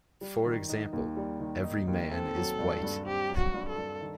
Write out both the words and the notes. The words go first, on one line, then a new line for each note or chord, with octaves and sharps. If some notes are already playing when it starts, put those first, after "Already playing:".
For example, 'every man is white'.
G3
D#3
D#4
D#2
G3
D#3
D#4
D#2
C4 A4
F#3
G2
G2
C4 G4
F#3
F#4
G2
A4
G2
D#3